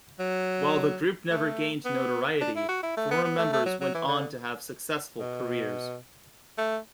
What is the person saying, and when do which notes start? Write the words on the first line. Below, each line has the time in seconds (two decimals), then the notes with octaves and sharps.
While the group never gained notoriety, former members went on to have successful careers.
0.20 F#3
1.30 A3
1.85 B3
2.41 D4
2.56 E4
2.69 F#4
2.83 E4
2.97 A3
3.11 B3
3.24 B3
3.38 A3
3.53 A3
3.66 F#3
3.81 F#3
3.95 E3
4.08 D3
5.19 B2
6.58 A3